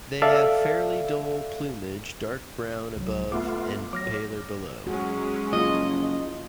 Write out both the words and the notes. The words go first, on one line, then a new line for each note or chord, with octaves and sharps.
They have fairly dull plumage, dark brown above and paler below.
A4 D5 E5 F5
C2 F#3
A3 B3 F4 D6
F#3 D6 F6 A#6
F#3 G#3 C#4 F#4
F#1 F4 D#5